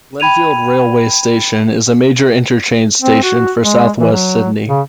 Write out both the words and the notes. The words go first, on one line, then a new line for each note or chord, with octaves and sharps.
Glenfield railway station is a major interchange station for South-West Sydney.
G5 B5 G#6 D#7 F7
C4
F#4
G#3
E3
F#3
C#3